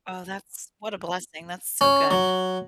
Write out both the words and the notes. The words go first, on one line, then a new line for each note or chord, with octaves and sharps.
Oh, that's what a blessing, that's so good.
C#4
F#3